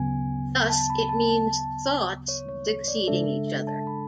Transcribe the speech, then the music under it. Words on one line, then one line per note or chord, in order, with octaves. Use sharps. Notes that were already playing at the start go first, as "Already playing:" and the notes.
Thus it means "thoughts succeeding each other".
Already playing: D2 C#3 F#3 B3 G#5
A5
B5
A5
A5
C#5
C#5
C#5
D5
C#3 G#3 D4 A4 E5
E5
E5
A5
B5